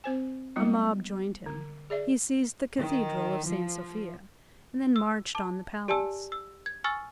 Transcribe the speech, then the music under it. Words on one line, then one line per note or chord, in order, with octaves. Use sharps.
A mob joined him, he seized the Cathedral of St. Sophia, and then marched on the palace.
C4 C5 G#5
G3 G#3 B3 D#4 F4
D3
G#4 D5 E5
D#3
F3
E6
A5 D6
G4 D5 G#5 A5 E6
E6
G#6
G#5 C#6 E6 F6 A6